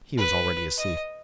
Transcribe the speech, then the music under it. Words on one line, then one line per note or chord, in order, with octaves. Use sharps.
He was already asleep.
B4
D#5